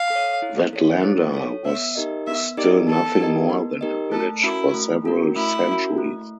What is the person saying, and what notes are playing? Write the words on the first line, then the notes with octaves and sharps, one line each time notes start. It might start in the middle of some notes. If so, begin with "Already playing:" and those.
Vetlanda was still nothing more than a village for several centuries.
Already playing: F5
A4
C#5
E4
A4 C#5
E4
A4 C#5
B3 E5
D#4 G4 A#4 D#5
B3 E5
D#4 G4 A#4 D5 D#5
B3 A4
D#4 G4 A#4 D#5
B3
D#4 G4 A#4 D#5
A3 A4
C#4 E4 F#4 A#4
A3
C#4 F#4 A#4
A3 E4
C#4 F#4 A#4
A3